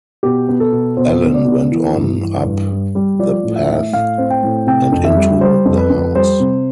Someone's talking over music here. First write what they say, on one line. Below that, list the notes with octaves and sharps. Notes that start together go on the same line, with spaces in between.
Ellen went on up the path and into the house.
B2 G4
B3
A4
B2
B2 C5
B2
D5
B3
E3
G2
E3
G2
G3
G3
F3 D5
A2
E5
A2
A2 F5
C4
G5
A2
C3 G5
F2
E5
G3
G3 C5
F2
B4
F2
G3 C5
C3